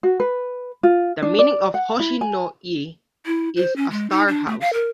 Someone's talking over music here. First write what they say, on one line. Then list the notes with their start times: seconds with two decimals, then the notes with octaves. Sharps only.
The meaning of "Hoshi-no-ie" is "a star house".
0.03 F#4
0.20 B4
0.83 F4
1.22 D4
1.39 D5
1.74 F#5
2.00 E4
2.21 G#5
3.26 E4
3.57 C5
3.76 C#4
3.91 G#3
4.10 D#4
4.28 D4
4.47 A3
4.61 F5
4.73 A#4